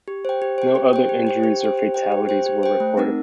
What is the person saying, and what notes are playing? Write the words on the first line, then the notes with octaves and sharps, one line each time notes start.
No other injuries or fatalities were reported.
G4
C5 G5
G4
C5 G5
G4
C5 G5
G4
C5 G5
G4
C5 G5
G4
C5 G5
G4
C5 G5
G4
C5 G5
A3
C4 D#4 A#4